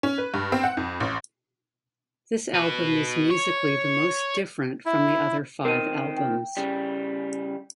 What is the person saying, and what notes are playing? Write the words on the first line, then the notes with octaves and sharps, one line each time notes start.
This album is musically the most different from the other five albums.
C#4
B4
G2
C4
F#5
F2
A1
F#4 B4
C#5
E4
D#3 C4 A#4 D#7
G5
C#3 G3